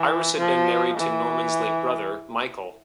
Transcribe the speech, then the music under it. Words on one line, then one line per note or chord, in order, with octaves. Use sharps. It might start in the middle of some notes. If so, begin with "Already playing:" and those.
Iris had been married to Norman's late brother, Michael.
Already playing: E3
F3
E3